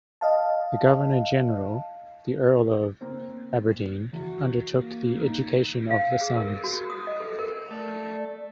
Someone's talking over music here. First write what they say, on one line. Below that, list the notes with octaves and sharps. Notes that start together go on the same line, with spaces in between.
The Governor-General, the Earl of Aberdeen undertook the education of the sons.
D#5 F5 A5
A#3 C4
E2 F#4
A#3
D#4
F5
G#4
A#4
F#4
D#6
D#5
A4
A#4
A3 D5